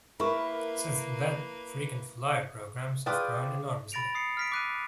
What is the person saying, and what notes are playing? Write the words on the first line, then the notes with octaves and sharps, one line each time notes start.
Since then, frequent-flyer programs have grown enormously.
A#3 E4 G#4 A#4 B4 C#6
F4 G#4 B4 D5 F5 G5 D6 D#6
B5 A6 A#6 D7 F7
D#6 C7 C#7
F6 B6 D7
D6 F#6 D#7